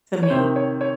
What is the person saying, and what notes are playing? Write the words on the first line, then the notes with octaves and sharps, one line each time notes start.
to me.
C#5
C3 D#3 C5
C#5
C#5